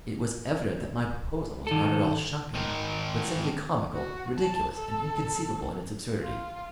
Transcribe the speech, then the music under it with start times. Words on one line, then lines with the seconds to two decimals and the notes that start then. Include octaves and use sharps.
It was evident that my proposal was not at all shocking, but simply comical, ridiculous, and inconceivable in its absurdity.
1.67 D#3 A4
2.54 G#2 D#3
3.94 F#4
4.36 A5
4.74 A4
6.23 F4